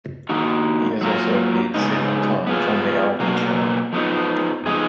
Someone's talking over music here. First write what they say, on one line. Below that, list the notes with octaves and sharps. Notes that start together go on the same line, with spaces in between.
He has also appeared several times on the Audi Channel.
D#3 A#3 D#4 F#4
F#3 A#3 F4 A#4
C#3 G#3 B3 D#4
B3 F4 G#4
B2 F#3 A#3
F3 B3 D#4
F3 B3 D#4 G#4 D#5